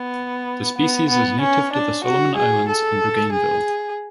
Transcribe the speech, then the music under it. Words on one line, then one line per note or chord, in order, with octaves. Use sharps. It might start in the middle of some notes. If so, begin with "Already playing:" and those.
The species is native to the Solomon Islands and Bougainville.
Already playing: B3
B3
B3
C#4
D4
F#4
G#4
A4
G#4